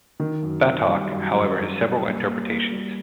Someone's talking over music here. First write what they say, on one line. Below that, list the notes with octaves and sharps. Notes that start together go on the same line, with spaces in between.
"Batok", however, has several interpretations.
D#3
F#2
D#3
G3
F#2
F#2
F#2
G3
A#3
A#3
A#3
G3